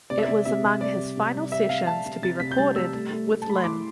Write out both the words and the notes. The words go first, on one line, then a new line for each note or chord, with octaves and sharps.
It was among his final sessions to be recorded with Lynn.
C3 D5
E5
C3 D5
C3 E5
C3
G3 D5
G4
C3
G3
G4 E5
C4 F5
C3 A5
C3
C3 A6
C3 B6
G6
G3 A6
G3 E6
A3
A3
A3
A5
A3 B5
C6
E4 D6